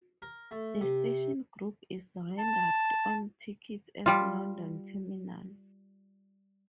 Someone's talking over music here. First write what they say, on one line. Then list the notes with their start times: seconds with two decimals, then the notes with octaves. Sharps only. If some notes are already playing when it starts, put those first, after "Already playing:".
The station group is rendered on tickets as "London Terminals".
0.22 A#4
0.51 A3
0.81 C3
2.39 A5
4.06 G3 F4